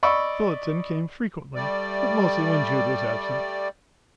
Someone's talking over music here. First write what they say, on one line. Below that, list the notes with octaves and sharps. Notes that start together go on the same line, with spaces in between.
Phillotson came frequently, but mostly when Jude was absent.
D5 D#5 B5 C#6 E6
G3 A3 D5